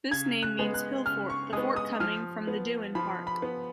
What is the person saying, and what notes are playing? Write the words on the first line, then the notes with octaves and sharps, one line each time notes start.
This name means Hill-fort, the fort coming from the Duin part.
C#3 G#6
F#6
G#3 B3
F#6
C#3 F6
C#6
G#3 B3 D#6
D#6
F3 F6
B3
F3 B5
B5
B3